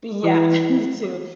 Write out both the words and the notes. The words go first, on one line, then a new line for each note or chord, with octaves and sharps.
Yeah, me too
E3